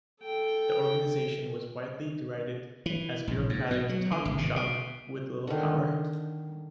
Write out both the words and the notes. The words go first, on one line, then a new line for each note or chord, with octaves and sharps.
The organisation was widely derided as a bureaucratic "talking shop" with little power.
A4 G5
E3
A#1
G#2
B2
F#3
D3
G#1
B2
B2
D3 D#3